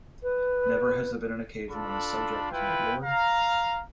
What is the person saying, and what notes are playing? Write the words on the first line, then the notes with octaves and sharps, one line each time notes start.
Never has there been an occasion when a subject was made lord.
B4
D4 F4 A4 A5 B5
E4 F4 B4 G5
F5 A#5